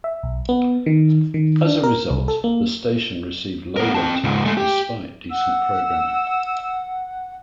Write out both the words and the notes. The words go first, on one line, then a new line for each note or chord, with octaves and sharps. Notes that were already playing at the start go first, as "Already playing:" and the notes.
As a result, the station received low ratings despite decent programming.
E5
B1
B3
D#3
D#3
D4
A#4
C2
A4
A#3
B3 A#4
C4 A5
C#2 G#2
G#3 A3
G4
F#5 E6